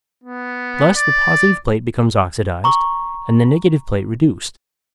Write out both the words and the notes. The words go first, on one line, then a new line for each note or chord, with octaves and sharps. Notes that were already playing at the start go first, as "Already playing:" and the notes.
Thus, the positive plate becomes oxidized, and the negative plate reduced.
B3
D5
A#5 C#6